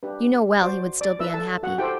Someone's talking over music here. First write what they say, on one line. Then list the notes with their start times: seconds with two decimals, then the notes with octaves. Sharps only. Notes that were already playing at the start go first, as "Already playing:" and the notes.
You know well he would still be unhappy.
0.03 D4 G4 B4
0.61 F#4 C5 D5 D6
1.01 D5 D6
1.19 E4 B4 E5 E6
1.34 A4 A5
1.63 F#4 F#5
1.78 E4 G4 A4 C5 G5